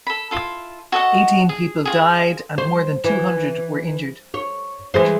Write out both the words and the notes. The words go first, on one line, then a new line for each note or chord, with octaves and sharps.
Eighteen people died, and more than two hundred were injured.
A4 B5
E4 F4 A4
F#4 A4 D#5 F#5
G#4
F4 F#4 G#4
C5
E3
C#5
E3 G#3 C5